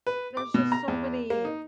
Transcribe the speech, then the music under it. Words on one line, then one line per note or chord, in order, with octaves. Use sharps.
there's just so many
B4
D6
B2
A#5
E2
A#3
D#4